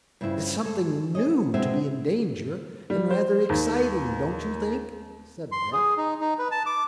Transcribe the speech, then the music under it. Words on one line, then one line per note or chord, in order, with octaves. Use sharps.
"It's something new to be in danger, and rather exciting, don't you think?" said Beth.
G2 C#3 F3 E4
G#3 G#4 A4
G#4 C#5 D#5
B3
B2 G#3 C4 G4 E5
G3
C5
D#2
C6
G#4
D#4
D#4
B4
A5
D6